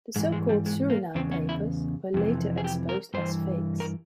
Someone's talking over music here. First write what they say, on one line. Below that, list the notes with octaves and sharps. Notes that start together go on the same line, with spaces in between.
The so-called Suriname papers were later exposed as fakes.
G#2 E3 G#3
G#3
G3
G#3
A#3
E2 C#3 C4
C#4
E4
F2 C3 E3
G#4
G4
A#4
G2 E3 C5
A#4